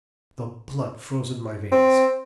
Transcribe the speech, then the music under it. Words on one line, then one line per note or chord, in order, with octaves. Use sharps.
The blood froze in my veins.
C4